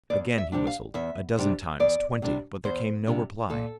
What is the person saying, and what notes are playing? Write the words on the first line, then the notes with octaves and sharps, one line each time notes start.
Again he whistled, a dozen times, twenty, but there came no reply.
E2 D5
E5
C3 G3 D4
F5
E2 E5
C3 G3 D4
E2 D5
C3 G3 D4
E2 C5
C3 G3 D4
A#2 A4